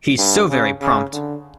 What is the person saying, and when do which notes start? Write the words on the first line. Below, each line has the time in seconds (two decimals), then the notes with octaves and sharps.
He's so very prompt!
0.18 G2
0.50 C#3
0.81 C#3
1.13 D3